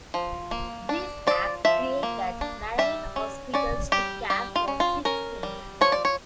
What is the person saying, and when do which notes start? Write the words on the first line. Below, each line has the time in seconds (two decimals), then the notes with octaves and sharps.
This act created Marine Hospitals to care for sick seamen.
0.14 F3
0.51 A#3
0.89 D4
1.27 F3 D5
1.65 F3 E5
2.03 A#3
2.41 D4
2.78 G3 E5
3.16 C#4
3.54 C#4 D5
3.92 G3 G4
4.30 G3 G4
4.56 F4
4.68 C#4
4.80 F4
5.05 C#4 A#4
5.43 G3
5.81 F3 C#5
5.92 D5
6.05 C#5